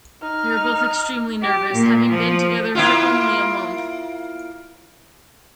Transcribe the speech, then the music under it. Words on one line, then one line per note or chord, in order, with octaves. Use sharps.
They were both extremely nervous, having been together for only a month.
D#4 F6
G4
A#2
F3
A#3 E4 F4